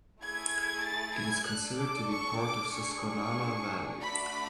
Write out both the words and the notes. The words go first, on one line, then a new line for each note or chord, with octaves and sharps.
It is considered to be part of the Susquenanna Valley.
A3 E4 G#4 G#6
A6
G#6
D4 A4 F#6
D6
C#6
D6
D4 G#4 C#6
A3 D4 F#4 B5